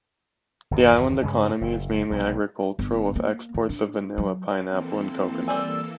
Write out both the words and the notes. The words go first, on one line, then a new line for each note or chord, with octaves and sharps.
The island economy is mainly agricultural with exports of vanilla, pineapple and coconut.
G1 E2 C3 D#3
G2 C#3 G#3 C#4
F#1
B1 C3
G1
A#3
D#3
D4
F#3
E3 A#3 C4 A4
G3 D5 G#5 E6